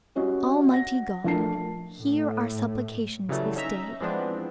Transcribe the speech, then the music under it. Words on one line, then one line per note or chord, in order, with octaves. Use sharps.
Almighty God, hear our supplications this day.
G3 C#4 F#4 D#5
F#5 A#6
A#1 A3 D4 A#4 A5 C7
A2
C#3 E3 F#3 G3 A3
C#4 D#4 E5 A#5
E3 F3 G#3 B3 C4 D4